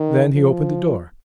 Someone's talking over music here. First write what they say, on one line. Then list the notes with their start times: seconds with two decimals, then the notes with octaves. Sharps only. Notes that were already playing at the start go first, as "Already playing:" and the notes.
Then he opened the door.
Already playing: D#3
0.35 F3